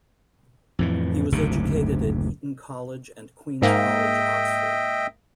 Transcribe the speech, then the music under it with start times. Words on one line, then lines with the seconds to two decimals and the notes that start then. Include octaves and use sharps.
He was educated at Eton College and Queen's College, Oxford.
0.79 F2 A2 E3
1.32 F#1 D2 G#2 C3
3.62 G#2 A#3 D#5 E5 G5